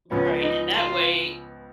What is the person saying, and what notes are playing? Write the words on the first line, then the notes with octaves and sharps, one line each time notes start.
Right, and that way,
C#2 C#3 F3 B3 C#4
D#4
F4